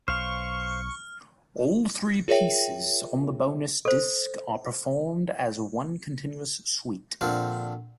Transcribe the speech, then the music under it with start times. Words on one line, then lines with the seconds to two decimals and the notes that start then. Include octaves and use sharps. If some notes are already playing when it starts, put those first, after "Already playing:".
All three pieces on the bonus disc are performed as one continuous suite.
0.08 B1 C5 F5 C#6 F6
2.28 F4 G#4 A#4 C#5 E5 G5
3.85 A4 C5
7.21 A#1 D3 C4 D4 F4